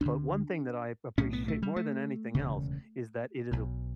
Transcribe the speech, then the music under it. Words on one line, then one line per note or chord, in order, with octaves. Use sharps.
But one thing that I appreciate more than anything else is that it is a
D2 D3 D4
B1 A2 C#4
B3
A3
G3
A3
E1 D2 C#3
B1 B2